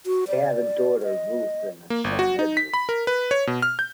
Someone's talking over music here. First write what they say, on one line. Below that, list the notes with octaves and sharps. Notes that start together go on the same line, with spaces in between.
They had a daughter, Ruth, and a son, Edward.
F#4
D5
D#5
A#3
G1
F#4
D#4
B6
B5
A#4
B4
C#5
B2
F6
G6